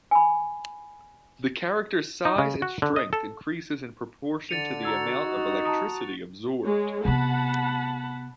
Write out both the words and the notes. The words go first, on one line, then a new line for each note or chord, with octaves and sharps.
The character's size and strength increases in proportion to the amount of electricity absorbed.
G#5 B5
D#4
C#3
F#4
D3
D#5
A4
D3 A6 C#7 D#7 F7
F#4 A#5 E6 G#6
D#4
A5 A#5 D#6
G#3 C#5
C3 B3 F#5 A5 B5